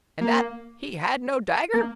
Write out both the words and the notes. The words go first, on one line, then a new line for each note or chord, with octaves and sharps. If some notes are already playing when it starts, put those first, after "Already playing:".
And that he had no dagger?
A#3
A#3